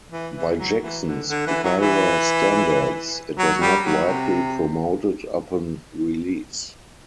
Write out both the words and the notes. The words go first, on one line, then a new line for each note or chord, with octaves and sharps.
By Jackson's prior standards, it was not widely promoted upon release.
E3
E3
F#3
E3
D3
D3
E3
F#3
E3
F#3
G3
F#3
C3